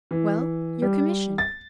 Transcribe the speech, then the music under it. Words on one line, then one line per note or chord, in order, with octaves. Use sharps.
"Well,--your commission?"
E3
G3
A6